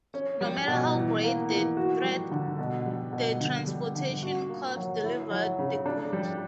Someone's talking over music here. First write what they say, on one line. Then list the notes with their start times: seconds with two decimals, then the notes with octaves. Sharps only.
No matter how great the threat, the Transportation Corps delivered the goods.
0.14 C#4
0.41 G3
0.68 B2
0.96 E3
1.23 A#3
1.49 E3
1.77 F#4
2.04 G3
2.31 D3
2.59 B2
2.86 G3
3.13 B2
3.40 D3
3.67 G3
3.95 D3
4.22 F#4
4.49 A#3
4.77 F#3
5.04 E4
5.31 F#3
5.59 C#3
5.86 D4
6.13 G3